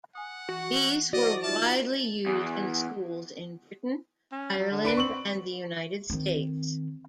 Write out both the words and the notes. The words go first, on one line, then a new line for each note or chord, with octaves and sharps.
These were widely used in schools in Britain, Ireland and the United States.
F#5 G#5 D#6
E3 F#4
E4 F#4 C5 D5 D#5
D#4 F4 E5 A5
E2
C#4
F#3
D3
D4 B4 D7
C4 C#6 F#7
D#3 C4